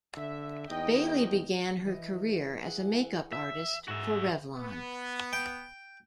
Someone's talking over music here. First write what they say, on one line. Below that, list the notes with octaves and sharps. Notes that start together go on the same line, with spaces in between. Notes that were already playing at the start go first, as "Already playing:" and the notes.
Bailey began her career as a make-up artist for Revlon.
D3 E5
E2 D#4 D#5 G5
E3 D#5
E4 G#4 F#5
E5
G#2 F#4 E5
B3
G5